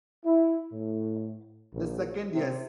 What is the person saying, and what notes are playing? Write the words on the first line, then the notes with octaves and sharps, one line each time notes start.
The second, Yes!
E4
A2
A#1
C3